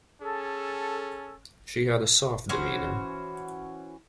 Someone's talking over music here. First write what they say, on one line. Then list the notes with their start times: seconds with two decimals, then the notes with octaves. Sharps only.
She had a soft demeanour.
0.21 C#4 G#4 A4
2.49 E3 C#4 F#4 C5